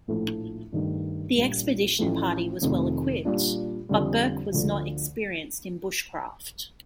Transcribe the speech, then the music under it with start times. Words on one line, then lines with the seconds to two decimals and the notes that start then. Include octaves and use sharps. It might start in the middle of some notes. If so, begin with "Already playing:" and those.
The expedition party was well equipped, but Burke was not experienced in bushcraft.
0.08 A#1 A2 F3 A3
0.73 G2 D#3 A3
1.35 A#1 A#2 G3 A#3
1.99 A1 A2 F3 A3
2.62 F1 F2 C3 D#3 A3
3.25 A#2 G3 D4 F4
3.89 F2 D3 G3
4.52 D2 D3 F3